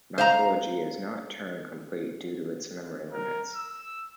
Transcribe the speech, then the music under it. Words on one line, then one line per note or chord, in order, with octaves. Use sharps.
Malbolge is not Turing-complete, due to its memory limits.
C5 F5 A#5
A#4
E6